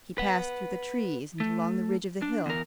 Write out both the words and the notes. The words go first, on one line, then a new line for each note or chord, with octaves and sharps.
He passed through the trees and along the ridge of the hill.
B4 F#5
A3
D4
E2 A#4